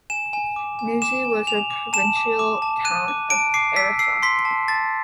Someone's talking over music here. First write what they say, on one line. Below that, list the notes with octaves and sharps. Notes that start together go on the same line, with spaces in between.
Nuzi was a provincial town of Arrapha.
G#5 E7
G#5
D6
G#5
D6 E7
G#5
G#5 F7
D6
A5 E7
D6
D6
A5
F#6 D#7
D6
A5 D7
D6 C7
E6 B6
E6 C7
C6 B6
A5
A5 A6